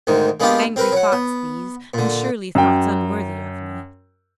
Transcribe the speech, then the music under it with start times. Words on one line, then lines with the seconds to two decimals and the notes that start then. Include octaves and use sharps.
Angry thoughts these--and surely thoughts unworthy of me?
0.07 D2 G#2 D#3
0.40 G#3 A#3 B3 D4 F4 G4
0.76 C4 A#4 B4
0.92 F#3 F#5
1.12 B3
1.94 A#2 D3
2.55 F#2 G5